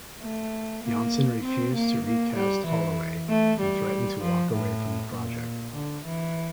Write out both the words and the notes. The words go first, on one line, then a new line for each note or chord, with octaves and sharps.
Janssen refused to recast Holloway and threatened to walk away from the project.
A3
A#3
C4
A#3
A#3
G3
E3
A3
G3
F3
A2
A#2
D3
E3